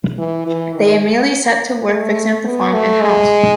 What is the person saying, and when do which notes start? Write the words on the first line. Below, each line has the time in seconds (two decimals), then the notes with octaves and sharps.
They immediately set to work fixing up the farm and house.
0.18 E3
0.46 E3
0.75 D#3
1.88 A3
2.45 B3
2.73 A3
3.01 G#3